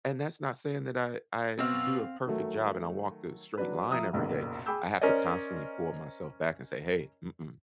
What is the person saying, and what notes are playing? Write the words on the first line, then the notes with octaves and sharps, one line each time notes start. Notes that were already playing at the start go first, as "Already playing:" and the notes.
and that's not saying that I I do a perfect job, and I walk the straight line every day, I have to constantly pull myself back, and say, "Hey, mm-mm,
B2 C4 F5 E6
D#3 F#3 A3
F#3 D4 B4
F3 E5 A#5 D#6 E6
F#1 B1 A#2
G#4 G5 B5 D6 E6 G6
C#4 A#4 C5 D5 D#5